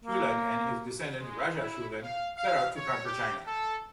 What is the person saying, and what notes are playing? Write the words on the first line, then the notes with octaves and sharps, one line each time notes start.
Shulan and his descendant Raja Chulan set out to conquer China.
A#3
G#3
E4
F5
F5
C#5
G4
A4